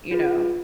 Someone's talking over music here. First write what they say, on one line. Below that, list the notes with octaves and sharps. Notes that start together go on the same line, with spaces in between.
you know.
F4 G#4 B4